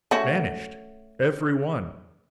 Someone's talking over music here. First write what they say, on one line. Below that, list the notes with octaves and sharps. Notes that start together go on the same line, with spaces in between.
Vanished, every one!
A3 C#4 F#4